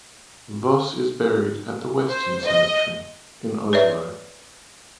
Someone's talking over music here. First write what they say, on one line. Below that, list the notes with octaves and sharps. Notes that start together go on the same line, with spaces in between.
Voss is buried at the Western Cemetery in Oslo.
C5
D#5
B4 C#5 D5 E5